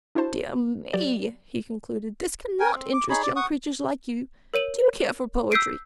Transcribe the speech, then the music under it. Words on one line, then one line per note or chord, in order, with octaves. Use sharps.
"Dear me!" he concluded, "this cannot interest young creatures like you; do you care for poetry?"
D4 E4 F#4 C5 A5
F#3 G4 D5
C#4 A#4 G5 G#5
C4
D6
D#4 G#4 C#5 B5
D5
F#5 C#6 D#6
A#4 C#5 D#7 F#7
E6 G6 B6 C7 D7 D#7